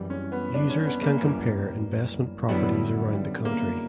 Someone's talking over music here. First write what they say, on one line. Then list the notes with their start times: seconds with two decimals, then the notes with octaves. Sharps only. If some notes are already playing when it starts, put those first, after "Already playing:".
Users can compare investment properties around the country.
Already playing: F#2 E3 G3
0.10 C#4
0.32 B3
0.54 D4
0.70 C#4
0.86 B3
1.03 A#3
1.18 F#2 E3 G3 C#4
2.49 F#2 D3 F#3 G3 B3 E4
3.14 G3
3.45 A#3